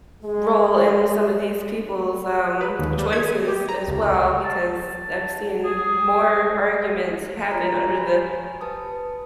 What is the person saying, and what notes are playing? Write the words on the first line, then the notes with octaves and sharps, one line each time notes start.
role in some of these people's, um, choices as well because I've seen more arguments happen under the
G#3 G#4
B4
D#2
G3
G#6
D#7
G4
A#5
C#2
A5
G#4
F4 C#5 A#5 B6
G4 G#5 B5
B4 A5 D#6